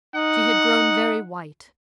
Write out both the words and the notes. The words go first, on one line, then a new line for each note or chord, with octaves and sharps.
She had grown very white.
D#4 F#5